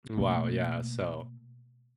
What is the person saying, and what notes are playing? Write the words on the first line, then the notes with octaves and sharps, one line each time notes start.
Mm, wow, yeah, so,
B2 A3 A#3